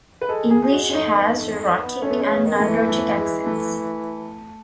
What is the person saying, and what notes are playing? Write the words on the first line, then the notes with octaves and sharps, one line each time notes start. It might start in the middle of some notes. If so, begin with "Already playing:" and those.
English has rhotic and non-rhotic accents.
B4
G#3 A4
G#4
F#3 G#4
G#3 F#4
C#4
A3 D#4
B3
A3
A3
B3
A3 C#4
B3
C#3 C#4
B3
D#3
G#3
A3
E3
A3
G#3
A3